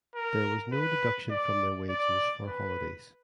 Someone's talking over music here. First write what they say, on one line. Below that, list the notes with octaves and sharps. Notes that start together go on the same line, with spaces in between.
There was no deduction from their wages for holidays.
A#4
B4
D5
D5
B4